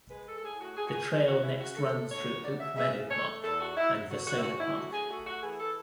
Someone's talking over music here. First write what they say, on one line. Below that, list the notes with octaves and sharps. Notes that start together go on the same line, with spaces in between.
The trail next runs through Oak Meadow Park and Vasona Park.
G#3 B4
A4
A4
A2 G#4
F#4
A2 G#4
F#4
G#4
E3 G#4
F#4
C#3 E4
F#4
A3 A4
D2 C#5
F#3 D5
E5
C#3 E5
A3 C#5
E2 A4
F#4
F#3 E4
D3 F#4
F#4
E4
C#4 F#4
E4
D2 F#4
G#4
A3 F#4
F#4
E3 G#4
A4